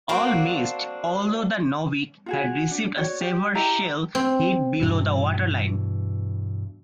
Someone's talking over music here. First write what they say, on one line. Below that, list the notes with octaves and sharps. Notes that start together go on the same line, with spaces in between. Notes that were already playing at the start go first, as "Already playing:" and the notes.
All missed although the "Novik" had received a severe shell hit below the waterline.
A#3 C4 D4 F#4
F4 F#4 G#4
D4
F#4 C#5 D5
G4
E4 G4 D#5 A#5
C4
G2 B2 E3